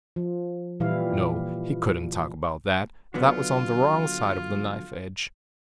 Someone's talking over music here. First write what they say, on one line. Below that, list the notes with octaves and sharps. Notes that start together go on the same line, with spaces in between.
No, he couldn't talk about that; that was on the wrong side of the knife-edge.
F3
A#2 E3 G3 E4 F5
A#2
D3 F#3 B3 F4